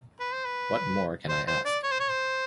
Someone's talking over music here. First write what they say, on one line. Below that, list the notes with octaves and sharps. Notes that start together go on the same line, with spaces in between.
What More Can I Ask?
B4
C5
B4
C5
C5
D5
C#5
C5
C#5
C5